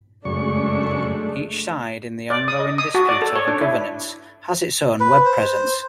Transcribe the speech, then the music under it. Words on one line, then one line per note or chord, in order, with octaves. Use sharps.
Each side in the ongoing dispute over governance has its own web presence.
F#2 C#3 G#3 A3 D4 D5 C#6
D5
D#6
D#5
D#6
F#4
D5
A4
C#5
D4
E4
B4
C5